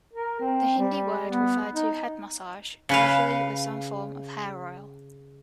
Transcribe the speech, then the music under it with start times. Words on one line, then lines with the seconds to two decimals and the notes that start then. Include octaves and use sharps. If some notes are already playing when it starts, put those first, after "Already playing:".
The Hindi word referred to head massage, usually with some form of hair oil.
0.13 A#4
0.40 C4
0.78 G3
1.28 B3
1.73 D#4
2.89 C#3 B4 F5